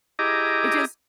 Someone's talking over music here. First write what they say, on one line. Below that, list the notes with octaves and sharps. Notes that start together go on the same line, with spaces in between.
it just
E4 G4 G#4 D#5 A#5 D6